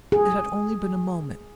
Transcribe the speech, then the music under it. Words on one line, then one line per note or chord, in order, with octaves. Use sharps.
It had only been a moment.
G#4